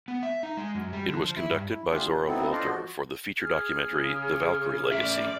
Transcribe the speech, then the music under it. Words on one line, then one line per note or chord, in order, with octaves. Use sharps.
It was conducted by Zora Wolter for the feature documentary, "The Valkyrie Legacy".
B3
E5
D#4
G#3
F#2
G3
D3
F3
E4
G2
E4
D3 A3 D4 F4 G4 G#4
A#2 F3
B3 C4 D#4 E4 A4
D4 F4 A4 C5 D5 D#5
F3 F#4
G#4 F6
C#3
A3 C#4 D5 E5